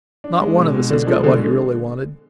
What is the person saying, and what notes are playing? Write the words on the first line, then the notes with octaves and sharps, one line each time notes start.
Not one of us has got what he really wanted.
D4
G#3
B2
B2
D3 D4
F3 G#3
B2 D3